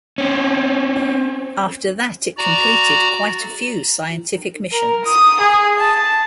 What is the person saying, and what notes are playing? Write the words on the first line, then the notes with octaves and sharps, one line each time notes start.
After that it completed quite a few scientific missions.
C4 C#4
F#4 D5 A#5
A#4
D#6
G#4
A5